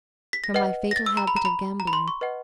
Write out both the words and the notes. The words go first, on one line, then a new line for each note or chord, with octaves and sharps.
From my fatal habit of gambling.
B6
A#6
B4 D#5 F#5
A#6
A6
E6
A#5
B5
A#5
B5
A#5
B5
C6
C#6
B4 D#5 F#5